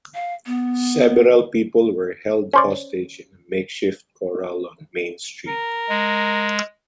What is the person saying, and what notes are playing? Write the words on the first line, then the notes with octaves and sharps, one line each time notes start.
Several people were held hostage in a makeshift corral on Main street.
F5
B3
C#4 C5 D5
A#4
G#3